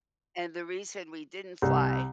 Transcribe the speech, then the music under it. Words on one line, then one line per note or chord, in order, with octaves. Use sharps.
and the reason we didn't fly
C2